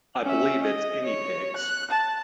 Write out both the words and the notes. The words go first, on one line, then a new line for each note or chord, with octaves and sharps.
I believe it's guinea-pigs.
C#4 E5
D#5
C#5
F#6
A5